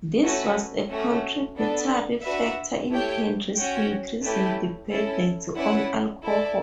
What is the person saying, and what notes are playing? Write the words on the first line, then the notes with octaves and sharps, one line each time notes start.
This was a contributory factor in Hendry's increasing dependence on alcohol.
A3 C#4 F#4 B4
A3 C#4 F#4
B3 D4 A4
D4 F#4 B4 E5
A3 E4 G4 C#5 G5
C#4 F#4 C#5 G5
A3 C#4 E4 G4 B4
C#4 E4 A4
C#4 E4 B4 D5 F#5
E4 A4 D5